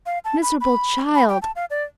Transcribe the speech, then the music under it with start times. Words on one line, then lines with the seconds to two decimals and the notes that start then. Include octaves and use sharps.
Miserable child!
0.06 F5
0.25 A5
0.42 B5
0.61 B5
1.15 B5
1.29 G5
1.42 A5
1.56 F5
1.70 D5